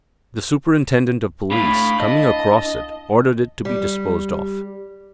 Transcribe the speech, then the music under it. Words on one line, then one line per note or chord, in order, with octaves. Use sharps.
The Superintendent of Police, coming across it, ordered it to be disposed of.
A2 D4 E4 F5 B5
D#5 A5
G3